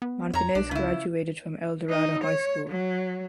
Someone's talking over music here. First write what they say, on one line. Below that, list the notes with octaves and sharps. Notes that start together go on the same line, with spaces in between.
Martinez graduated from Eldorado High School.
B3
F2 C#5 A#5
B1 D4
C#2 C#3 E4
D#4
C#5
F#3